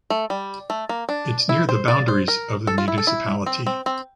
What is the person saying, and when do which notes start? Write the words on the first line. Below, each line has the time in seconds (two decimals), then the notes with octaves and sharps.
It’s near the boundaries of the municipality.
0.10 A3
0.30 G3
0.70 A3
0.89 A#3
1.09 D4
1.49 E4
1.69 C5
1.88 D5
2.08 C5
2.28 A#4
2.67 A4
2.78 F4
2.88 E4
2.98 A4
3.07 E4
3.46 C4
3.67 C4
3.86 C4